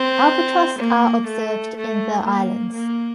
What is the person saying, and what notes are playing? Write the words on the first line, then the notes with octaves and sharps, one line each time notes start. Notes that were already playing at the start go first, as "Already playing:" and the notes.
Albatross are observed in the islands.
Already playing: C4
A#3
A3
A3
A#3
A#3